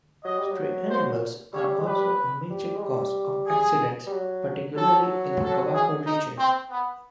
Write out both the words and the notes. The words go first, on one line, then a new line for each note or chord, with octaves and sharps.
Stray animals are also a major cause of accidents, particularly in the Kavango Region.
F#3 D#5
G3
F#3
C5
G3 C#5
G#3
G3 B4
G3
G#3
G3
G#4
G3
F#3
F#3 A4
A4
G#4
D#4
C4
B3